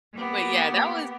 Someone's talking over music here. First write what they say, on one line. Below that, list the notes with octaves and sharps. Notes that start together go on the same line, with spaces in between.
but, yeah, that was
A#3 B3 G4